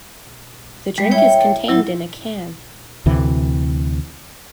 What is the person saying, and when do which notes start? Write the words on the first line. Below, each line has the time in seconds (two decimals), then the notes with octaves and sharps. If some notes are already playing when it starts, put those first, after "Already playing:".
The drink is contained in a can.
0.98 G3 G#3 G4
1.11 A#3 E4 C#5 G5
1.40 D5
1.68 A2 F#3 G3 E4
3.06 D2 C3 E3